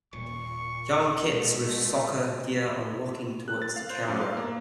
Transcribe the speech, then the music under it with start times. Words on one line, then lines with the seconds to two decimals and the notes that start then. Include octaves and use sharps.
Young kids with soccer gear on walking towards the camera.
0.13 D#1 A#2 C#6
1.20 B2 G#3 A3
3.48 F#6
3.62 A6
3.76 F5
3.90 C5
4.08 F#2
4.21 F5
4.37 A#3